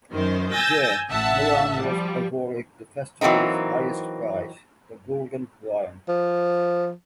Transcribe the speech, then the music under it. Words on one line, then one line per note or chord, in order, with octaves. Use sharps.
There Mullan was awarded the festival's highest prize, the Golden Lion.
F#2 D#3 C5
G#5 E6 G6 A6 A#6
A1 E5 F#5 A5
F3 G3
E3 F#3 A#3 C4 D#4
F3